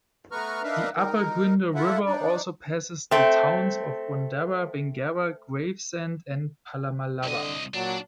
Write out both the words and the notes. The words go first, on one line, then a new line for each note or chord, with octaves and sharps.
The upper Gwydir River also passes the towns of Bundarra, Bingara, Gravesend, and Pallamallawa.
A3 B3 B4 A#5 C#6 F6
D4 D#4 A#4 B4 E5 F5
D#4 A#4
E4 F4 A4 E5 F#5
D4 D#4 D5
A3 C4
C2 D3 D#5
A#2 F#3 D4